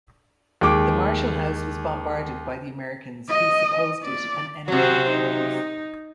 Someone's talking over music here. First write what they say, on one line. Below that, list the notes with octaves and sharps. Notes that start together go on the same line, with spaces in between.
The Marshall House was bombarded by the Americans who supposed it an enemy headquarters.
D#2 G#3 G5 D6
D#5
D5
C3 F#3 F#4 C5
D#4